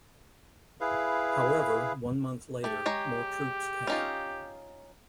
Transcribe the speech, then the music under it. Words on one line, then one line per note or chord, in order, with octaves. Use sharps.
However, one month later, more troops came.
E4 G#4 B4 F5
A3 G4
G#3 C#5 A#5
C#4 D#4 F4